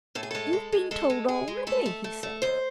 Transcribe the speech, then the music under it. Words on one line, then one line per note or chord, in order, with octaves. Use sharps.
'You have been told already?' he said.
A2 A4
G#4
G#3 A4
G#3
G#3
G#3 A4
G#3
G#3 G#4
G#3
A3 A4
A3
A3
A3
D#2 C5